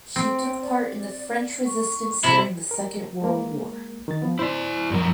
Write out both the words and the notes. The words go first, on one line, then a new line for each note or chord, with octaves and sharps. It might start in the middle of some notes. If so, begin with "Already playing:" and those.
She took part in the French Resistance during the Second World War.
C4 G5
D5
C#6
C3 E4
A#4
G#3 A#3 A#4
D#3 A6
F3 B3
E4 C5 D5
F#2 F3 A#4